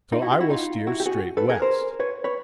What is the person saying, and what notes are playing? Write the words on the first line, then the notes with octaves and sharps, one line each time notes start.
So I will steer straight west.
D#4 F4
E4 F#4
F4 G4
E4 F#4
D#4 F4
E4 F#4
G4
F#4 G#4
A4 B4
G#4 A#4
A#4 C5
B4 C#5
B4 C#5